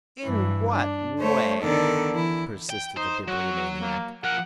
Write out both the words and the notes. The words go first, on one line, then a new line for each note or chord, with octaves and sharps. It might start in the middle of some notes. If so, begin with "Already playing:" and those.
"In what way?" persisted the Bibliomaniac.
G2 E3
D4
A3 C5 C#5
D3 D#3 B3 A4 A#4 D5
E3 E4
G5
D#4 C5
F#3 F#4
A#3
F3 A#4 F#5